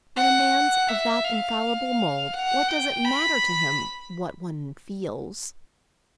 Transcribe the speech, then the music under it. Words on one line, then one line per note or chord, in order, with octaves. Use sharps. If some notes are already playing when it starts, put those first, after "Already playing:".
"When a man's of that infallible mould what does it matter to him what one feels?"
F#5
E5
F5
F#5
G5
B5